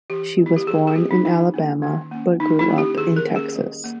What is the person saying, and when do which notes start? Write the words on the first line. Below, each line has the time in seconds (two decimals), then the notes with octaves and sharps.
She was born in Alabama but grew up in Texas.
0.10 E3 G4
0.38 G3 B3
0.46 E4
0.56 G4
0.67 E3 G#4
0.87 G#4
0.96 G3 B3 G4
1.11 D#4
1.25 D#3 E4
1.54 A#3 C#4
1.82 D#3
2.11 A#3 C#4
2.40 D#3 D#4
2.59 E4
2.69 A#3 C#4
2.78 G4
2.98 D#3 G#4
3.16 A#4
3.26 A#3 C#4
3.36 G#4
3.55 G3
3.84 A#3